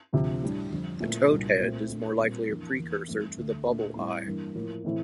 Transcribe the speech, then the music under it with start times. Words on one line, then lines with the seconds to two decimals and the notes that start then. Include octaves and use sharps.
The toadhead is more likely a precursor to the Bubble eye.
0.13 D2 C3 F3
0.42 A2 G3 D4
0.71 F2 D3 G3
1.00 A#2 A3 C4 E4
1.30 C2 A#2 G3 D4
1.60 A#2 A3 C4
1.89 A#2 A3 D4
2.19 A#2 G3 C4
2.49 F2 E3 A#3 D4
2.78 E2 E3 A#3
3.07 G2 E3 A3 C4
3.37 D2 D3 A3
3.67 A#2 A3 D4
3.95 A2 G3 C4 E4
4.26 G2 E3 A#3 D4
4.55 A2 F3 A#3 E4
4.84 A2 E3 A3 C4 E4